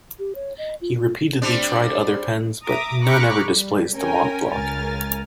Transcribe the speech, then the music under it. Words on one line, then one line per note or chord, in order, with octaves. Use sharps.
He repeatedly tried other pens, but none ever displaced the Montblanc.
G4
C#5
D#5
F4
F4
G3 C4 D4
E5 A#5 D6 D#6
A#5 B5 C#6 D6 F6 F#6
G3
C#4 A#4 G5 G#5
C#2 A#4 G#5 F6 A6